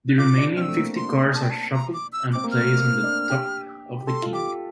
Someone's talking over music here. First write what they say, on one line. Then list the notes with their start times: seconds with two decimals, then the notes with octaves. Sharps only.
The remaining fifty cards are shuffled and placed on the top of the King.
0.18 F4 D6
0.37 D4
0.57 C4 F6
0.61 E6
0.67 A3
0.76 A#3
0.96 C6
1.35 A5
1.43 G5
1.50 A5
1.74 A#5
1.94 D6
2.12 E6
2.33 C4 D6
2.44 A#3
2.51 A3 F6
2.77 A#3
3.03 D4
3.30 G4
4.01 G4
4.07 A4 C6
4.22 F4
4.33 G4 D6